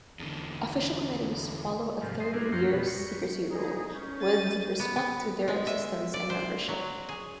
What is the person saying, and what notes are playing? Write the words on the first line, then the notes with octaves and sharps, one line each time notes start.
Official committees follow a thirty-year secrecy rule with respect to their existence and membership.
E2 D3
G#2 C3 F3 G3
C5 C6 D#6
G3 G#3 A#3 D4 E4
F#2 F3 C#4 G5 A#5 C6
F2 B2 G3 B3
C#6
D#4 G#4 D5
C#4 G6
A6 D#7
B3
B3
G#3
E5
D5
C5
F#3
G#4